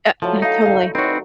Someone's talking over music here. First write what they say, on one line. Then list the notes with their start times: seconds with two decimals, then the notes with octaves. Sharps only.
Uh, yeah, totally.
0.22 F3 F#3 A3 E4 A4
0.42 D#4 D#5 F5
0.62 D5 D#5 F5
0.95 D#3 C4 D#4 E4 F#4 B4 C#5